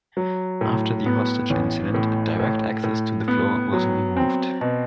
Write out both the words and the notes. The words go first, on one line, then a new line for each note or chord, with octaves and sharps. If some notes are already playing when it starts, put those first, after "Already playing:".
After the hostage incident, direct access to the floor was removed.
F#3
A2
B3
A1
A2
A2
A2
B3
F#3
C4
B2